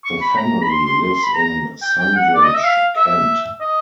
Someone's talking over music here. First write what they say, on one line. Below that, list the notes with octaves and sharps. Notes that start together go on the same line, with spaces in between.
The family lives in Sundridge, Kent.
C#6
B5
A#5
B5
C6
C6
C6
C6
B5
A#5
G5
G5
F#5
D5
D#5
E5
F5
E5
D#5